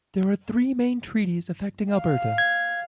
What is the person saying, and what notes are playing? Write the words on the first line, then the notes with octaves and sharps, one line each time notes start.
There are three main treaties affecting Alberta.
F5
G#6